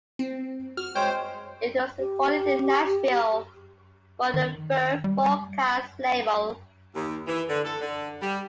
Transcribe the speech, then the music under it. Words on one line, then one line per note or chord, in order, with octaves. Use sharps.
It was recorded in Nashville for the Verve Forecast label.
C4
F#4 F6
G#3 C5 C#5 G5
G4
D#3
G3
D#2
E3
D3
A4
D3
G3